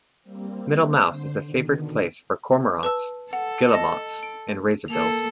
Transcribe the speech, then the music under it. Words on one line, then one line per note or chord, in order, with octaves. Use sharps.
Middle Mouse is a favoured place for cormorants, guillemots and razorbills.
G3 A#3 C4
D3 C5
B2 D3 D#3
B4 A5 E6
A4 F#5
D#5 A5 A#6
D7
A#3 A4 F7